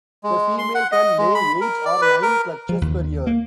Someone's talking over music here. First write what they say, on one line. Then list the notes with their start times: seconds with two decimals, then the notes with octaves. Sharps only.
The female can lay eight or nine clutches per year.
0.24 G#3
0.58 C6
0.75 F#5
0.92 D#5
1.18 G#3
1.35 B5
1.61 A#4
1.85 D5
2.02 B4
2.22 A#4
2.69 F3
2.82 D#2
3.27 A#3